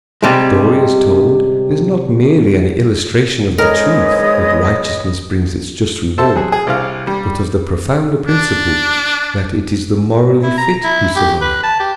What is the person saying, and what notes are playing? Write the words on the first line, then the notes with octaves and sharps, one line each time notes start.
The story as told is not merely an illustration of the truth that righteousness brings its just reward, but of the profounder principle that it is the morally fit who survive.
C3 G3 G#3
G#2 A#4 B4 C#5 D#5 D#6
A4 C5 E5 A5
F#3 G#4
G#4
C2 C3 F5
G3
D4
E4
A#5
E4
G4
B4
A5
G4